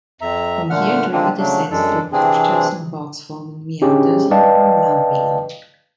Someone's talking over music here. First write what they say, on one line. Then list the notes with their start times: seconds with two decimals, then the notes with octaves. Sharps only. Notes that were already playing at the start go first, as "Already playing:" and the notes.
From here the river descends through pastures and bogs forming meanders on farmland below.
0.21 F2 E5 A#5
0.70 A#2 D3 A3 F#5 F6
1.13 D3 D#3 G#3 A#3 C4 D4
1.38 C#3 F#3 A3 D4
1.71 F#2 G#3 D4 A4
2.12 C3 E3 C4 D4 G#4
3.82 C#4 D#4 G4 G#4
4.31 B4 D5 D#5 F5 G5 A5